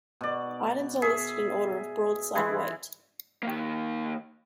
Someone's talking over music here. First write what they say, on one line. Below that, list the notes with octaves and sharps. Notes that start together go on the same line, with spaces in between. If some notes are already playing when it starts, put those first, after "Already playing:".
Items are listed in order of broadside weight.
B2 D5
G#4 E5
E3 G#3 E4
D#3 A#3